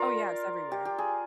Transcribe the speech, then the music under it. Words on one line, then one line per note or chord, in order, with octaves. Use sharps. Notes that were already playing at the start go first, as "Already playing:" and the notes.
Oh, yeah, it's everywhere.
Already playing: F4 A#4 D5
G4
G4
G#4